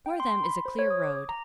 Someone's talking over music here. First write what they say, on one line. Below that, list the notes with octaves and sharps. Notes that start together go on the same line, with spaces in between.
Before them is a clear road.
G5
C6
B5
C5
C#5
D#6
D6
A#5